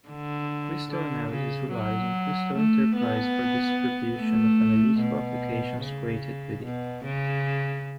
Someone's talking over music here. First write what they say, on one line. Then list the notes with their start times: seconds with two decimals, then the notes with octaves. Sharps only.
Crystal Analysis relies on Crystal Enterprise for distribution of analytical applications created with it.
0.08 D3
0.91 D3
1.32 C#3
1.74 F#3
2.55 A3
2.96 B3
4.19 A3
5.00 B2
5.83 C#3
6.65 B2
7.05 C#3